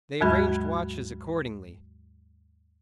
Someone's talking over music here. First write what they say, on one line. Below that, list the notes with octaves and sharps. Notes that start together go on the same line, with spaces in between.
They arranged watches accordingly.
D#2 G#2 F#3 G#3 F#4 B5